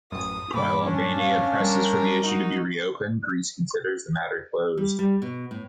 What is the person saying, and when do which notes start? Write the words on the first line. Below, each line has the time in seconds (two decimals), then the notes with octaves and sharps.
While Albania presses for the issue to be re-opened, Greece considers the matter closed.
0.12 A1 F#2 D#6
0.54 G2 A#2 B5 D6
0.83 C#4 D4
1.16 F5
1.60 G3 A#4
2.21 D#4 F#4
4.78 G3
4.99 G3
5.22 B2
5.51 A2